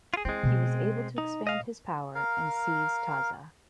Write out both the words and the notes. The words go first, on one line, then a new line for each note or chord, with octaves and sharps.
He was able to expand his power and seize Taza.
F4 G#4
G#3 C4 E4
B2
D#4
D#5 F5
A#4 F5